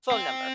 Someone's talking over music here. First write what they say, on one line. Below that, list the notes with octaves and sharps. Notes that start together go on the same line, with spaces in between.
phone number
C4